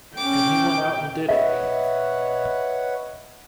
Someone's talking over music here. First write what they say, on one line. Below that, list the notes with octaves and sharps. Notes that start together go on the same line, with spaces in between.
And he went out and did it.
C#4 G5 D6
B4 C#5 D#5 E5 F#5